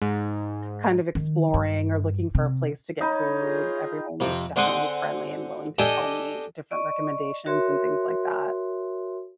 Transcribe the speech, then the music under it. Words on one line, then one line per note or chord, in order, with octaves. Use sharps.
kind of exploring or looking for a place to get food. Everyone was definitely friendly and willing to tell me different recommendations and things like that.
G#2
D#3
G2
C3
D#4 C#5 B5
F4 G#4
F2 C3
D3 C4 G#4 F#5 C6 D#6
D4 G4 A4 D#5 G#5 A5
D5 D#5 C#6
F#4 A#4 C#5 E5 C6